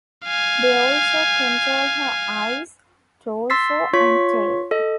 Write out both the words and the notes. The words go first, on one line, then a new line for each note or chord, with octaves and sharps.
They also control her eyes, torso, and tail.
F5 G#5
C6 E6 A6 B6 C7
F4 C#5 C#6 B6
A4 D#5